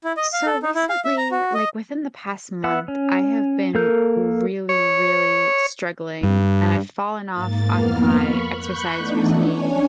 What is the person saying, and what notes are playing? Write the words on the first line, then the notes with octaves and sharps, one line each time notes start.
So, recently, like, within the past month, I have been really, really struggling, and I've fallen off on my exercise routine.
E4
D#5
F5
A4
D#4
E4
F5
E5
A#5
F#4
D#5
B3 E5 F#5
C#4
A#3 A4 A#4 G6
C#5
G2
G#2 A#3 A6
F2 A#3 B3 F6
B5 C#6
B5 C#6 F#6 G6
E3 A3 B3 D4 D#4
C#4 D4 C#5 G#5